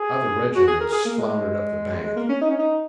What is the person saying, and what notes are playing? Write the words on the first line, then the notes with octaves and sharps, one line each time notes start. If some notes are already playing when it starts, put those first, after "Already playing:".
Other regiments floundered up the bank.
Already playing: G#4
F#4
G#4
A#4
G#4
A#3
G#3
G#3
A#3
C#4
D#4
C#4
D#4